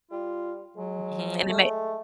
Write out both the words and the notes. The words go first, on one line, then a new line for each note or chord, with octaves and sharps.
Mhm, and it may
G3 F4
F#3 G#3
A3